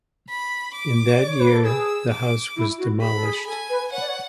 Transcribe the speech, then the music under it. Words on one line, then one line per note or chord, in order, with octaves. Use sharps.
In that year the house was demolished.
B5
D6
D5
C#5
B4
A4
G#4 E6
D6
E4
F#4
G#4 B5
A4
G#4
A4 G#5
B4
C#5 F#5
D5
C#5